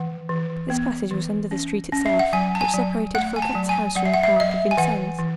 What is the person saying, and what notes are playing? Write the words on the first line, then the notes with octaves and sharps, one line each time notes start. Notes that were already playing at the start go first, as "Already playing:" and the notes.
This passage was under the street itself, which separated Fouquet's house from the Park of Vincennes.
Already playing: E3 F#5
E3
B3
E3
C#4
C#4
E5
F#5
F#3 G#5
A5
G#5
F#3
A3 F#5
G#5
A5
F#3
G#5
F#3 F#5
E5
F#5
E5
F#3 D#5
E5
G#5
E3 F#5
E3